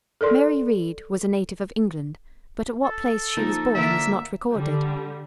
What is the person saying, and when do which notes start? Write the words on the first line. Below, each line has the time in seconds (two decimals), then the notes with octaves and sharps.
Mary Read was a native of England, but at what place she was born is not recorded.
0.21 A4 A#4 D5 C6
2.85 A4
3.37 F3 A#3 D#4
3.75 D3 A#3 A#4 E5
4.50 D3 G3